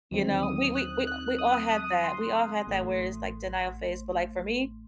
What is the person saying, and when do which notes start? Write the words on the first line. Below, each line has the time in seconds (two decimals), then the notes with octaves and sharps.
You know? We we we we all have that. We all have that, where it's, like, denial phase. But, like, for me,
0.11 D#2 D3 F#3 C4 D#4
0.43 D#6
0.76 F#6
1.07 F#6
1.39 D#6
1.71 D#6
2.04 C6
2.67 A1 A2 A3